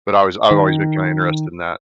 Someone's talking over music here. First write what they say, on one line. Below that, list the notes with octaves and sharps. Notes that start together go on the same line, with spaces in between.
But I was I've always been kinda interested in that.
D#3